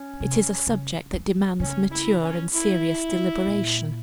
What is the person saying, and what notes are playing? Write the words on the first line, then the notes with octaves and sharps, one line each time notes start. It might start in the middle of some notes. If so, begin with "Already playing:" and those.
'It is a subject that demands mature and serious deliberation.
Already playing: C#4
C3
C#3
E3
C#3 C#4
E4
C#4
E4
A#2